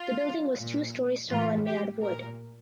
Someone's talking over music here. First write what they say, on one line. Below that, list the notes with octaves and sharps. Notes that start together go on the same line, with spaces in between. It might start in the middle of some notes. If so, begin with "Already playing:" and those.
The building was two stories tall and made out of wood.
Already playing: F4
A#2
A2 E3 F4
G4
A#2 A#4